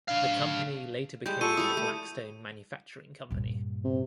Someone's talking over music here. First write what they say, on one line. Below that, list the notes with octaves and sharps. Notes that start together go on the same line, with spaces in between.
The company later became the Blackstone Manufacturing Company.
D4 F5
G3 G#3 G6
F4 A4 C#6 D#7
G3 E4 D#6
A3
G2 A#2
C3